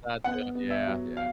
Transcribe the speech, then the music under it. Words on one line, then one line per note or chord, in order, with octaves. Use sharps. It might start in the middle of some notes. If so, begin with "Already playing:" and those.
That too yeah, yeah.
B3 F#5
B3
E5
F#3
F5